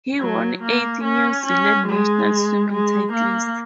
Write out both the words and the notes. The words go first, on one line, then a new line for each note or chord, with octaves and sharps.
He won eight New Zealand national swimming titles.
F#3
A#3
C#4
C#4
G#3
G#3
A#3